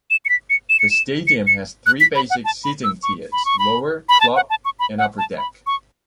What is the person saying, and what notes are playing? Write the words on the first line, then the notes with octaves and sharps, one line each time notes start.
The stadium has three basic seating tiers: lower, club and upper deck.
E7
C#7
B6
C#7
E7
C#7
E7
C#7
C#7
F#6
B6
B5
F#5
A5
B5
E6
C#6
B5
C#6
B5
B5
A5
F#5
A5
C#6
B5
F#5
A5
B5
C#6